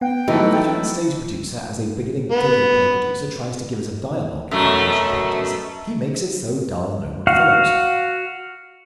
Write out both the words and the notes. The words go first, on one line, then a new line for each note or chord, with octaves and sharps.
When the veteran stage-producer as a beginning photoplay producer tries to give us a dialogue in the motion pictures, he makes it so dull no one follows.
B3 F#5 G5
E3 F#3 A3 D#4
B3
F#2 B2 A3
F#4 F5 F#5